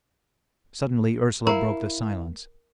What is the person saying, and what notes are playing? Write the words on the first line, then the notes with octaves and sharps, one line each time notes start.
Suddenly Ursela broke the silence.
E4 A#4 F5 A#5